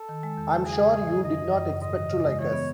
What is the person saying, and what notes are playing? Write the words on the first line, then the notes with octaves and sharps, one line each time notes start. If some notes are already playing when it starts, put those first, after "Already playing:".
I am sure you did not expect to like us..
Already playing: A4
D#3
G#3
E2
C#3
E2 G#4
C#3
G#2
E3
F#2 D#5
E3
F#2
C#3
G#2 D#5
E3
C#3
G#3
E3 C#5
B3